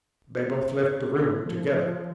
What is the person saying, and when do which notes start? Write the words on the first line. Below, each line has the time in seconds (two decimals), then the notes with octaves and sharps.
They both left the room together.
1.46 F3